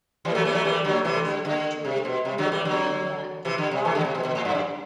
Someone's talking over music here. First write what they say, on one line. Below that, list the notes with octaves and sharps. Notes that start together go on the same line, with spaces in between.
The living was a rectory and of glebe land at Wildmoor Fen.
E3 G3
F#3 A3
E3 G3
F#3 A3
E3 G3
D3 F#3
C3 E3
D3
D3
C3
B2
C3
D3 F#3
E3 G3
D3 F#3
C3 E3
D3
C3
C3 E3
D3
C3
B2
B2
A2
G2
F#2